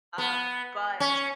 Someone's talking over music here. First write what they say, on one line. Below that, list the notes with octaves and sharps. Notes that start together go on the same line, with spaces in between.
Um, but
B3
C#4